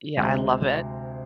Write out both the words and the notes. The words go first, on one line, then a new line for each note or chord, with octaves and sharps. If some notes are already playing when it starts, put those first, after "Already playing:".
Yeah, I love it.
D2 C3 G#3